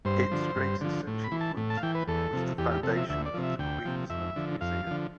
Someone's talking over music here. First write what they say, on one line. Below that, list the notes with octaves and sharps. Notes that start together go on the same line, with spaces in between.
Its greatest achievement was the foundation of the Queensland Museum.
G2 C5
D3 F3
G2
D3 F3
A2
B5
E3
A5
A2
A5
F5
E3 G5
B4
E2 A4
C3 F3
E2 G4
G4
C3 F3 A4
E5
D2 E5
D5
C3 F3
E5
D2 G5
C3 F3
F2 E5
D3 F3
F2 F5
D3 F3